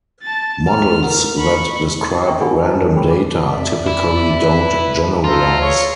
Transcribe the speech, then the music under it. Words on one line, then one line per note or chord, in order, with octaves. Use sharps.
Models that describe random data typically don't generalize.
A5 A6
G5 A#5 F6
A#4 F#5 A#5
B5 C#6
D4 E5 G5 A#5 C#6
D4 G#4 A#4 F#5 G#5 B5
F4 B4 C5 D#5 A5 A#5
E4 A#4 B4 C#5 F5
G#4 G5 B5 C6
D4 F4 B5 D6
F2 D5 E5
E4
B4
F4 A4 C5 D#5 A#5
G#4 C#5